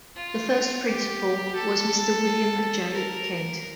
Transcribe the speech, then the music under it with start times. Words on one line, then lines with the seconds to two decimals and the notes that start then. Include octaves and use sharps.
The first principal was Mr. William J. Kent.
0.16 F4
0.86 G4
1.55 A4
2.93 A#4